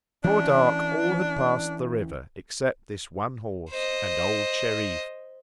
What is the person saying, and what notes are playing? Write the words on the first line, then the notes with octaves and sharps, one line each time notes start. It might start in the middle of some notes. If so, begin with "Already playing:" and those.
Before dark all had passed the river except this one horse and old Shereef.
E3 C#4 D4
C5 D#5